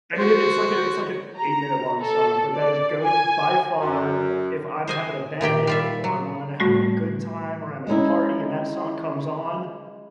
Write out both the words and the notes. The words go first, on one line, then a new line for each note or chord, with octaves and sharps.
I mean, it it's like a it's like a eight-minute-long song, but that is GOAT by far. If I'm having a bad day or I'm wanting to having a good time or I'm at a party and that song comes on,
F#4 C5
A#5
A4
D5
G#5
F#2
C5 D#5 G#5
A#2 D#3 G4 G5
G3 F4 E5
F#3
A2 G3 A3 F#4
G#3 C#4 D#4 E4